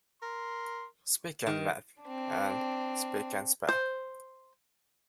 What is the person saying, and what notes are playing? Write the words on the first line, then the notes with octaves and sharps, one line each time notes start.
"Speak and Math" and "Speak and Spell".
A#4 C6
D#3
C4 D4
C5